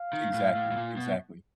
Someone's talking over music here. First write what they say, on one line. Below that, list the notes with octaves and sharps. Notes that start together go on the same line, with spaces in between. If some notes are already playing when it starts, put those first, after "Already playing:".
Exactly, exactly.
Already playing: F5
D#3
A2
A2
A2
A#2
B2